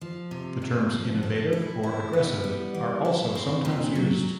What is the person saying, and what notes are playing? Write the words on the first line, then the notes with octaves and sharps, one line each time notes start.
The terms "innovative" or "aggressive" are also sometimes used.
F3
C3
C3
F3
A4
E4
E4
B3
G3
E3
E4
C4
A#2
F#3